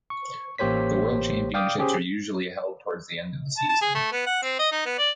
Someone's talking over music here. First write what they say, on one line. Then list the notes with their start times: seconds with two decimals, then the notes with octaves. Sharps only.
The World Championships are usually held towards the end of the season.
0.10 C#6
0.58 A1 A#3 G4 C5 C#5 B6
1.54 D5 F5 G5 D6 D#6
1.78 C#4 G4 G#4 C5
3.57 A5
3.69 A5
3.82 G#4
3.95 A3
4.12 B3
4.26 F#5
4.43 C4
4.59 D#5
4.72 D#4
4.86 B3
4.98 D5